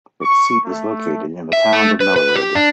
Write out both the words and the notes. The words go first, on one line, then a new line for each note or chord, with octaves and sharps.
Its seat is located in the town of Mellerud.
C#6
A3
E5
A3
B4
B4
G4
D4